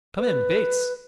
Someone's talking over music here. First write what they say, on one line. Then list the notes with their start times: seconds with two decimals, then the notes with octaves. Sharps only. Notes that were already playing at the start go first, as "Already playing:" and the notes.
Come in, Bates.
0.18 B4